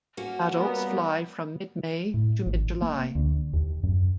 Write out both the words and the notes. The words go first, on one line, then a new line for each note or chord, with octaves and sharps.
Adults fly from mid May to mid July.
A#3 C#4 F#4
G3 B3 A#4
A2
G#1
A#3
D2
D#2
F#2